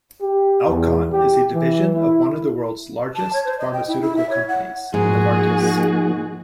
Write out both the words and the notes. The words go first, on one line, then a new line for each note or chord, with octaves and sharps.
Alcon is a division of one of the world's largest pharmaceutical companies, Novartis.
G4
E2
G4
E3
E4
A5
C#5
C5
D#5
G5
E4
E4
E5
C#5
F#5
G#2 F3 A#3 D#4 F#4 G#4